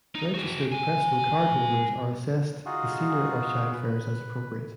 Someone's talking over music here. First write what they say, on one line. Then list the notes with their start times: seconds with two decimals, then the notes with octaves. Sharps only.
Registered Presto card holders are assessed the senior or child fares as appropriate.
0.15 D#4
0.34 F#4 G#4
0.72 G#3 G#5
2.66 D#4 F4 F#4 G#4
3.73 B4